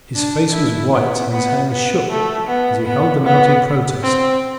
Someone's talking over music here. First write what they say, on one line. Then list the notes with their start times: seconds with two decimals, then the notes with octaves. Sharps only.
His face was white and his hands shook as he held them out in protest.
0.15 D4
0.53 E4
0.92 B3
1.32 B3
1.70 B3
2.09 A3
2.47 B3
2.86 B3
3.25 B3
4.03 C4